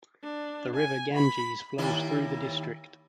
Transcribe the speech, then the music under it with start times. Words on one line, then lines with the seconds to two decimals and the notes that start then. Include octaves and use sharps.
The river Ganges flows through the district.
0.24 D4
0.76 G#5
1.15 B5
1.78 D#2 A#3 E4